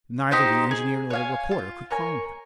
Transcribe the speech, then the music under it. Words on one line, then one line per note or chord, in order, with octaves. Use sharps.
Neither the engineer nor the reporter could calm him.
D#4 G4 C5
G#4
C#5 F5 G#5
F4
A#4 C#5 G#5